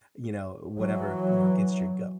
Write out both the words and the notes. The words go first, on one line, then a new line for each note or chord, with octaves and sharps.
you know, whatever, you know, gets your goat.
E3 F#3